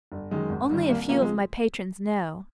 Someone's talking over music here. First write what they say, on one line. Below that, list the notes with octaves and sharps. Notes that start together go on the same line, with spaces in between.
Only a few of my patrons know.
G1
F#2 D#3 G#3
G#1
G2 D#3
C2 A#3
C3 F3 A#3
G#3